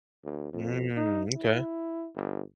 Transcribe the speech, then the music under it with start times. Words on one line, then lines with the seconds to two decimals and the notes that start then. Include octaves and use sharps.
Mm, okay.
0.24 D2
0.53 F2
0.97 D#4
1.36 E4
2.15 G1